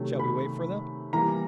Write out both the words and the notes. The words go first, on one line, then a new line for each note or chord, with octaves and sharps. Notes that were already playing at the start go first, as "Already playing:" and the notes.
"Shall we wait for them?"
Already playing: C3 D#3 F#3 A3
B5
E3 G3 A#3 A#5